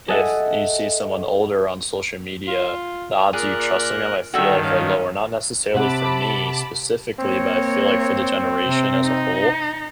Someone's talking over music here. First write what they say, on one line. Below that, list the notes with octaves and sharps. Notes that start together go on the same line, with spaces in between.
if you see someone older on social media, the odds of you trusting them, I feel like, are lower. Not necessarily for me specifically, but I feel like for the generation as a whole,
G#4 A4 D#5 E5 F#5
F4
A#2 G#4 A#4 D5 F#6
G2 D3 D#3 F#4 E5 G5
C#4 F5
C3 F#5 A5 B5 D6
A#3 C4 C#5
C3
D#4